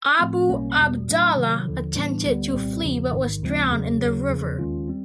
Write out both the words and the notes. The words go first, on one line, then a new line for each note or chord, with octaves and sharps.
Abu Abdallah attempted to flee but was drowned in the river.
A2 F3 A3 C4
B1 B2 G3 A#3 C#4
E2 B2 G3
A2 F#3 A3 D4
C3 D#3 F#3
D#2 D3 F3
A2 E3 G3 B3 D4
D2 D3 G3 B3
C2 A#2 G3 C4
E2 C#3 F3
A1 G#2 D#3
D#2 C#3 F3 G#3 C4
E2 C#3 F#3
D#2 C#3 F#3
E2 C#3 F3
D#2 D#3 G#3 C#4 F4
G3 C4